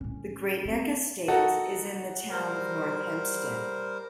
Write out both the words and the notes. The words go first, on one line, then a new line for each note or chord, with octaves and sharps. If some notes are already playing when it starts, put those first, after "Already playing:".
The Great Neck Estates is in the Town of North Hempstead.
A2 C#4
C4
D#4 F#4 A4
G3 A#4 C5